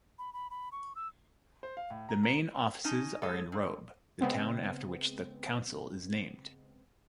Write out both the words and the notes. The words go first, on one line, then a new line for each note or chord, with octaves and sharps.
The main offices are in Robe, the town after which the council is named.
B5
B5
B5
C#6
E6
C5
F5
A2
A#5
A#5
C#4 D#4 A5
G#3 A4
G2
C#3 G#3 B3 C4